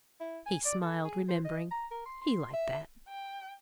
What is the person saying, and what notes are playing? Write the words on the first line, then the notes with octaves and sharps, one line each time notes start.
He smiled, remembering--he liked that.
E4
G#5
D5
A4
G#4
C5
D#5
A#5
A#4
C6
C6
E5
G5